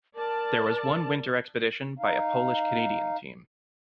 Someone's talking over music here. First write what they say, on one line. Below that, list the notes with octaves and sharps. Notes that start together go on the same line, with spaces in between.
There was one winter expedition by a Polish-Canadian team.
A#4 D5 A5
D#4 F5